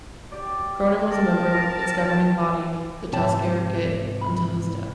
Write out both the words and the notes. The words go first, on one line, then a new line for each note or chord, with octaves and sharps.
Cronin was a member of its governing body, the Toscaireacht, until his death.
G4 D5
A#4 A5
G#2 C3 G4 C#5 A5
B5